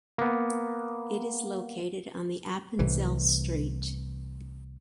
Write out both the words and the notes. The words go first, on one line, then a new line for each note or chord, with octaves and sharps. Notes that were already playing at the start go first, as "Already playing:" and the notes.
It is located on the Appenzell–St.
A#3 B3
C2 A2 E3